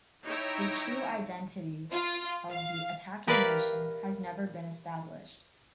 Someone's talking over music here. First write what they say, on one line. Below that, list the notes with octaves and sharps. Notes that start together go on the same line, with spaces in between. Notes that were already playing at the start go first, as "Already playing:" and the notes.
The true identity of the attacking nation has never been established.
D#4 E4 C#5 E5 G5 A#5
F4
F5
G4 A#4 B4 D5 E5 F5